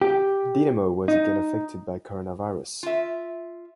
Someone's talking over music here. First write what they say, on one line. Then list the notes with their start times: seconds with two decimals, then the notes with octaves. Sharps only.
Dinamo was again affected by coronavirus.
0.01 G4
1.08 D#4
2.83 F4 E5